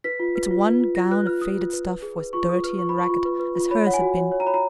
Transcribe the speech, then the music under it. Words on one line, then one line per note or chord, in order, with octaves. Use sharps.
Its one gown of faded stuff was dirty and ragged, as hers had been.
B4 B6
F4
B4
F4
B4
F4
F4 A#6
B4 F#6
F4 F6
F4 D#6
F4
B4
B4
G#4
B4
F4 C#6
F4 D#6
B4 F6
F4 C#6
B5
F4 C#6
F4
B4
B4
F4
C#5 B5
C#5 F#5
G#5
F#4
C#5
C#5
A#5
C#5 B5
A#5